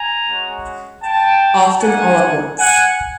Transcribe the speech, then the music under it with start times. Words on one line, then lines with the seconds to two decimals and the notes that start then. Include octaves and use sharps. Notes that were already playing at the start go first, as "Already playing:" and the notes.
Often all at once.
Already playing: G#5 A#5
0.26 G#3 C#4 F#4
1.03 G5 A5
1.80 A#3 D4 G4 F#5 G#5
2.58 F#5 G#5